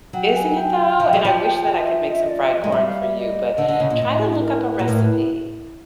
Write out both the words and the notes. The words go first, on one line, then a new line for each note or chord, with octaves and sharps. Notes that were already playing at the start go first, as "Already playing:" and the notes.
Isn't it, though? And I wish that I could make some fried corn for you, but try to look up a recipe
F#3 G5
G#5
G5
F3
F#3
F3
D#5
E5
D#5
E5
D#5
D5
E5
D#5
G#3 D#5
G3 E5
F5
E5
D#5
D3
D3
C#3
A#2
A2
B4
A#4
B4
B4
A#2
A2 A#4
B4